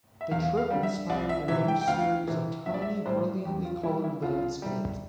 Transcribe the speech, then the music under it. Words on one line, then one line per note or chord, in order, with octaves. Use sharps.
The trip inspired a new series of tiny, brilliantly coloured landscapes.
E5
E2 F5
F5
D3 G3
E5
C2 D5
E5
C3 E3 E5
G5
G5
D2 F5
C3 E3
A#1 E5
D5
E5
A2 G3 C5
E2 G4
F4
E3 G3 E4
E4
C2 F4
C3 G3